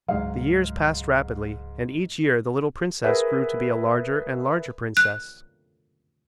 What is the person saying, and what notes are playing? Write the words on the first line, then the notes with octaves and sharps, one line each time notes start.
The years passed rapidly and each year the little princess grew to be a larger and larger princess.
C#2 G#2 F#3 F5
G#4 A#4 B4 E5 F#5
F#6